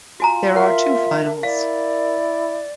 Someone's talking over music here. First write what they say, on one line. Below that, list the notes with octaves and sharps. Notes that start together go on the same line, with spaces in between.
There are two finals.
F4 F#4 G#5 A#5
A#4 E5 F#5
E4 D5 F5